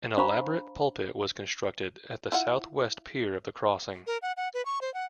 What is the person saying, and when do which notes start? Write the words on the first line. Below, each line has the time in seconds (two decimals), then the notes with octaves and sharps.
An elaborate pulpit was constructed at the south west pier of the crossing.
0.17 D4 C5 F5 A#5 B5 C#6
2.32 E4 F4 F#5
4.07 A#4
4.22 F#5
4.37 F#5
4.54 B4
4.65 C#6
4.81 C5
4.94 F#5